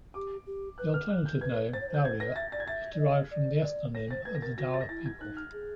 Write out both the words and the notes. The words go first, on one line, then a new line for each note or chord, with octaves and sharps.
The alternative name, Dauria, is derived from the ethnonym of the Daur people.
G4 D6
G4
B4 F#6
F6
F#6
G6
B4 G#6
C5 A6
C#5
C5
G6
C5 G#6
B4 A#6
D#5
E5 A6
D5 A6
G#6
E5 A6
D5
D#5
D5
D5
C#5 A#6
C5 A6
B4 G#6
A#6
A#4 A6
F#4 A#6
A6
A#6
E4 A6
G#6
D#4 F#6
F6
G#4